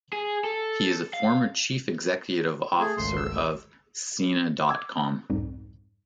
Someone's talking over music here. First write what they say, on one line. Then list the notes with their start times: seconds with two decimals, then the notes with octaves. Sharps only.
He is a former Chief Executive Officer of Sina dot com.
0.13 G#4
0.44 A4
1.13 F5
2.80 A3 G#4
2.97 G#1 C#2 A3 C6
3.16 E6
4.67 C#6 D6 E6 G#6
5.30 C2 F2 G#2